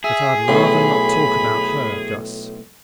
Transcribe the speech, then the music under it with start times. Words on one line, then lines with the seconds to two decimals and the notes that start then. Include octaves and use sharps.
But I'd rather not talk about her, Guss.
0.04 G#4 E5
0.48 B1 A2 B5